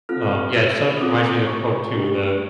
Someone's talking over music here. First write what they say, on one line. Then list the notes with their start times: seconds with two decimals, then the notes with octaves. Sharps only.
um Yeah, it sort of reminds you of the quote too, the
0.09 C4 F4 A4 F6
0.56 E6
0.97 D#6
1.01 C4 F4 A4 D6
1.47 C#6
1.93 A3 D4 G4